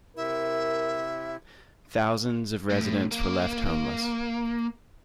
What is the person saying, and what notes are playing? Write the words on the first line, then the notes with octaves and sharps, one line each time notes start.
Thousands of residents were left homeless.
C3 E4 A#4 E5
A2
A#3